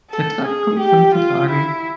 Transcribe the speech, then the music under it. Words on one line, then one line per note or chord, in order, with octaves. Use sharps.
Vertrag kommt von vertragen.
A4
G#4
G4
F4
E4